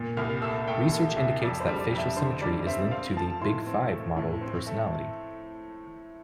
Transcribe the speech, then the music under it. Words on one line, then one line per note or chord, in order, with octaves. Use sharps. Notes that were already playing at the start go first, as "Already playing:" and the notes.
Research indicates that facial symmetry is linked to the 'big-five' model of personality.
Already playing: A#2
C2 F6
A3 E6
A3 G5
A3
C2 E5
F2 D5
C5
G3
D5
F2
E5
D3 C5
G3 D5
C4 E5
C4 F5
F3 A5
A2 C6
C4
A3
A2
C4
A3